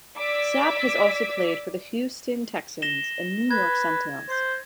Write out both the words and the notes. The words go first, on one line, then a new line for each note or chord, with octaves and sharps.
Sapp has also played for the Houston Texans and New York Sentinels.
D5 D6 E6 G#6 B6
A#6 E7 G7
B4 G#6
C5